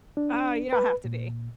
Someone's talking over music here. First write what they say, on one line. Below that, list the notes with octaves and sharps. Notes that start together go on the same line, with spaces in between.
Oh, you don't have to be.
D4
D4
B4
A#2